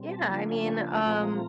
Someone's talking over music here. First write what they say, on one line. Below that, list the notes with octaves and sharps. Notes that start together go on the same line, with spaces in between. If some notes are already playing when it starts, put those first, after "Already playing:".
Yeah. I mean, um,
Already playing: B2 G3 C4
A5
C#3 F3 A#3 D4 F4 A5
G#5
G#5
A5
A#2 F3 A3 C4 F4 A#5